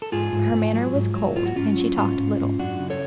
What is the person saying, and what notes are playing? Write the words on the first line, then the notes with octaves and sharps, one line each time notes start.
Her manner was cold, and she talked little.
A4
G#2 F4 G#4
G#2
G#2
F#3
G#2
F#3
G#2 F4
F#4
G#2 C#4 F4
F#3
G#2 C#4 F4
G#2
G#2
F#2 D4 F#4
C#3
A4 C#5